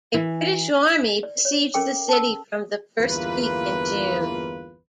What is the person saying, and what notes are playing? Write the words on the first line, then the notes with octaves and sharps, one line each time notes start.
A British army besieged the city from the first week in June.
E3
D5
C#5
C#4 A4 A#4 G5 D6
A5 E6
G1 E2 A#3 F4 B4